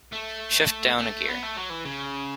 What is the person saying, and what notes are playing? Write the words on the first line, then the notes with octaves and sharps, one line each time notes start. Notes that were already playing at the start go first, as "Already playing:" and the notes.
Shift down a gear.
A3
A3
B3
A3
F#3
E3
C#3